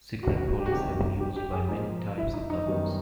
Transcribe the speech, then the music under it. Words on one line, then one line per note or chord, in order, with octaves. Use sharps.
Secret police have been used by many types of governments.
F#4
F#4
F#4
G4
F#4
C2 C3 D#3 G4
G4
G4
G#4
G#2 F3 A#3 D#4
E4
D#4
D#4
F#2 D#3 G3 B3